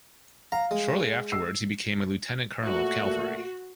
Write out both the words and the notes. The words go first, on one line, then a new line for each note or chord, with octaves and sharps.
Shortly afterwards he became a lieutenant-colonel of cavalry.
F5 A#5
G#3
E6 C7
A#2 A3 A#3 F#4